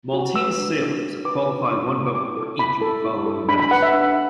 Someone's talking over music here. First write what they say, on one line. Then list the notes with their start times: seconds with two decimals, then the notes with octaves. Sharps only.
Maltese sailors have qualified one boat for each of the following events.
0.14 F#4
0.36 B4 E6
0.58 D4
0.81 D4
1.03 F#4
1.25 B4 D6
1.47 D4
1.70 E4
1.92 A4
2.15 E4 D6
2.37 A4
2.59 E4 B5
2.82 A4
3.04 E4
3.26 A4
3.49 D4 B5
3.60 B5
3.71 B4 F#5
3.82 E5
3.93 D4